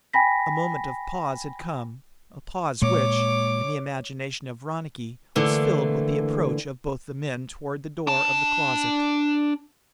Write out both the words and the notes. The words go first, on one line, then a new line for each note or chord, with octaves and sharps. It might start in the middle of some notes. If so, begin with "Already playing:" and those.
A moment of pause had come, a pause which, in the imagination of Ronicky, was filled with the approach of both the men toward the door of the closet.
G5 G#5 B5 A#6 B6
A#2 G#3 C#5 D6
D3 E3 A3 A#3
D4 A5